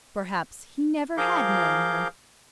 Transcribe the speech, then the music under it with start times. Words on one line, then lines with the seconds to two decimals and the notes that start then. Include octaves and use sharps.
Perhaps he never had known her.
1.17 F3 G#4 A#4 F5 D6 G6